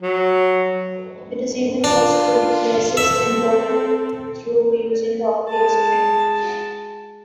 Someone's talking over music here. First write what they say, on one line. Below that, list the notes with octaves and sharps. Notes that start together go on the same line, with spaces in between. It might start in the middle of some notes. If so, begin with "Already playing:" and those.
It is even possible to play a sixth interval, through using the octave string.
F#3
D4 F4
C4 A4 E5
G#3 A5